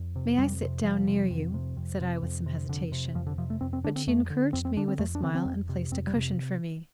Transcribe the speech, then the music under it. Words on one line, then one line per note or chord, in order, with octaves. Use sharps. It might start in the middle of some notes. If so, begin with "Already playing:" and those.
"May I sit down near you?" said I with some hesitation; but she encouraged me with a smile and placed a cushion for me.
Already playing: F2
C3
F2 G3
C3
F2 F3
C3
F2
C3
F2
C3
F2
C3
F2 D3
C3
F2 F3
D3
C3 F3
A3
F2 C4
C4
D3 D4
C4
F2 A3
D3
F2 C4
C4
D3 D4
C4
F2 A3
D4
D3 C4
C4
F2
C3
F2 C4
G3
C3